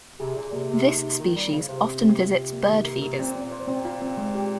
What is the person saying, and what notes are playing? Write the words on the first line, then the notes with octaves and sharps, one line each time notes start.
This species often visits bird feeders.
C3 G#4
A#2 G#4
C3 A#3
C3 A#3
D#4
C3
D#4
D#3 F4
G3 F4
C#3 C5
C3 C5
C4
C4
F4
F4
A#3
D#3
A#4
A#4
A#2 C4
C4
A#2
C5
A#2 C4
F4
C4
G#3
G4